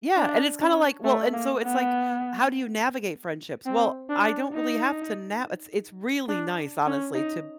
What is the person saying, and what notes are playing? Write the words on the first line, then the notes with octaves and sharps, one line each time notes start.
Yeah, and it's kinda, like, well and so, it's like, how do you navigate friendships? Well, I don't really have to na it's it's really nice, honestly, to
D4
C#4
A3
A#3
B3
C4
D4
D#4
D4
C#4
D#4